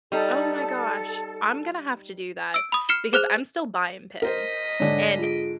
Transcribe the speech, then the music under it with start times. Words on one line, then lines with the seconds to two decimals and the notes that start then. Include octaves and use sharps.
Oh my gosh. I'm gonna have to do that because I'm still buying pins and
0.12 G3 D#4 A4
2.54 E6 D7
2.72 B5 D#6
2.89 F6 C7 C#7 E7 G7
3.13 G#4 C5 F6 F#6 F7
4.22 A#4 C5 D#5 B6
4.80 G#2 D3 C#5 D5 G#5
5.19 F4 G#4 D7